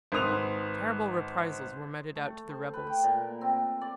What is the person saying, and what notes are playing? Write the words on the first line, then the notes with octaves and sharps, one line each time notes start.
Terrible reprisals were meted out to the rebels.
G#1 B4 C6 D#6 F7
A3
C5
B4
G5
A#2
C4
D5